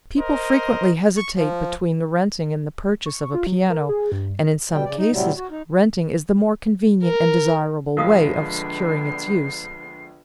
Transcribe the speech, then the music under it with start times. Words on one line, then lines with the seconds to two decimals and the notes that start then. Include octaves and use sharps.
People frequently hesitate between the renting and the purchase of a piano, and in some cases renting is the more convenient and desirable way of securing its use.
0.18 A#4 C5 D#5
1.17 C#6
1.37 F3
3.06 C#6
3.34 F4
3.47 F#3
3.70 A#4
3.89 G#4
4.12 G2
4.72 B2 G3 G5
4.85 C#3 D5
4.98 D#4
5.11 A2 C3 F#3 G3
5.37 F#4
5.51 D#4
7.04 A#4
7.97 A#1 D3 G#3 B3 A#4 F5 D#6 C7